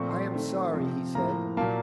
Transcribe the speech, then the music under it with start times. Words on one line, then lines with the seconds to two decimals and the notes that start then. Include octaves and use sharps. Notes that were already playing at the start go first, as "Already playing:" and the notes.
"I am sorry," he said.
Already playing: A#2 F3 A3 C4 C#6
0.11 C6
0.31 D#3 A3 C4
0.74 C3 F3 C4
1.15 A2 F3 A#3 A#5
1.57 A#2 F#3 A#3 A5